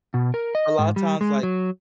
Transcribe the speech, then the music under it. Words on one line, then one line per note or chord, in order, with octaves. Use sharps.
a lotta times, like,
B2
A#4
D#5
G#2
G3
G#3
F#3